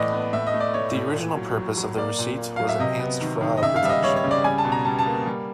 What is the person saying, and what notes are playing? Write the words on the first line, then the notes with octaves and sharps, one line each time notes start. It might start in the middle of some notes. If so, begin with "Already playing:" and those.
The original purpose of the receipt was enhanced fraud protection.
Already playing: A2 E3 B3 D5 D#5
B3
A2 E5
D#5
A3
D5
A3 C#5
A2
A#2
F#3
F#3
F#3
A#3 D5
A#2
A#3
F#3 F5
E5
C3 D#5
B3
D#3
D#3
D#5
C#3 E5
F5
G3 E5
D#5
G3 C#5
C#5
C#3
D5
G3 G#5
A5
B2
A#5
G3 A5
A5
A#3
G3